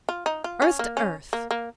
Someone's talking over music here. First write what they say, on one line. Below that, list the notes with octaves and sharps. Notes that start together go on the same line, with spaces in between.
Earth to earth!
F4
D#4
F4
C#4
A#3
C#4
A#3
A#3